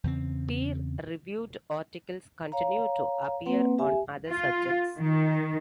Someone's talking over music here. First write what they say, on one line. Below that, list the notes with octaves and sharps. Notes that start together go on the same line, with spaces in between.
Peer reviewed articles continue to appear on other subjects.
E2 C#3 C4
C#5 F5 A#5
A#3 C4 B4 F#5
G4 E5 G#5
F4
D#3